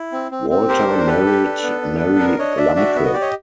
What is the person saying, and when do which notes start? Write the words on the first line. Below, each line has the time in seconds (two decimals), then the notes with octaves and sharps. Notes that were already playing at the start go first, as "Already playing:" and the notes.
Walter married Mary Lamke.
Already playing: E4
0.12 C4
0.31 C4
0.50 C4
0.68 G4 A#4 C5
0.88 D4 A4
0.99 A#4
1.06 G4 A4 B4
1.26 G4
1.45 D4
1.63 B3
1.82 D4
2.01 B3
2.19 D4 A#4
2.39 D4 C#5 D#5
2.57 D4 D5 E5
2.76 F#4 D5 E5
2.95 B3 E5
3.04 D#5
3.13 G4 D5
3.21 C#5 D#5